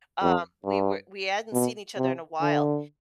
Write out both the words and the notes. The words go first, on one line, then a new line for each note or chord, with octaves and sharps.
Um, we were we hadn't seen each other in a while,
F2
G2
B2
C3
D3